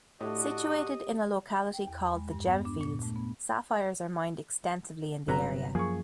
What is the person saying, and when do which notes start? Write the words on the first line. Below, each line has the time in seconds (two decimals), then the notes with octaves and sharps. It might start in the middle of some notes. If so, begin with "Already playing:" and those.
Situated in a locality called The Gemfields, sapphires are mined extensively in the area.
0.21 A2 D4 F#4 G4 D#5
1.73 G5
1.87 E2
1.99 B5
2.14 G#3
2.31 G2
2.46 B3
2.65 D4
2.81 A#2
3.03 A3
3.16 B3
5.28 G1 C3 F#3 B4 A#5
5.75 F#2 F3 A#3 G#4 C#6